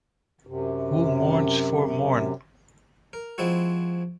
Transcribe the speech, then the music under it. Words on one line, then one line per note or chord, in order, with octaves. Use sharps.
Who Mourns for Morn?
F#2 C3
A#4
F3 G#3 C4 E4 F#4